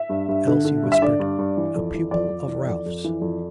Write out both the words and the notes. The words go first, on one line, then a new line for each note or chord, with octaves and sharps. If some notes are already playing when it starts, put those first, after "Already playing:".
Elsie whispered, 'A pupil of Ralph's.
Already playing: E5
G2
G2
D3
D3
G2
E5
D3 D5
G2
G2
E3
F2
E3
F2 D5
F2
E3
F2
F2
E3
F2